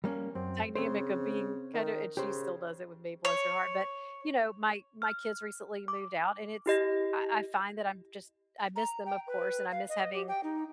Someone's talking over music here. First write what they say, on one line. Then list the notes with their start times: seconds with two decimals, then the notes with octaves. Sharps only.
dynamic of being kinda and she still does it with me, bless her heart, but, you know, my my kids recently moved out and it's I I find that I'm just, I miss them, of course, and I miss having
0.04 G3 A#3 C#4
0.35 F#2 C4
0.75 C#3 C4 C5
1.74 D#3
2.17 C#3 G4 C5
3.25 C#5
5.02 F6
5.88 D6
6.66 E4 G4 D#5 A#6
8.76 A#5
9.06 G5
9.27 B4
9.71 F5
9.89 D#5
10.14 G4
10.28 G5
10.44 D#4